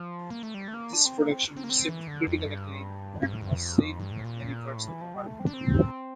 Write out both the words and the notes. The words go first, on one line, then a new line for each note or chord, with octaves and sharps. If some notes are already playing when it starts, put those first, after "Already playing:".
This production received critical acclaim and was seen in many parts of the world.
Already playing: F3
A#3
A3
G3
A3
A#3
D4
C4
A#3
C4
C4
A#3
C4
E3
D3
F2
G2
G2
A2
G2
F2
G2
A2
A#2
A2
E3
F3
G3
A3
C4
D4
C4